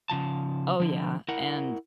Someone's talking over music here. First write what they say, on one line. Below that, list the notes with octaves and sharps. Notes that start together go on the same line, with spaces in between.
Oh, yeah, and
C#3 F3 A5
D3 F3
E4 A#4 F#5